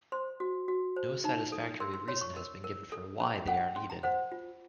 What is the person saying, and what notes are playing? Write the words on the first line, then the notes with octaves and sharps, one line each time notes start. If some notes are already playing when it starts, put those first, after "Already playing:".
No satisfactory reason has been given for "why" they are needed.
C5 C6
F#4
F#4
C5
D#4 A#5
A4
A#4 C6
C6
C#5 C6
C#6
A#4
A#4
A4
C#4
C#4 F#5
C#4 C6
A#5
C5 F#5
F4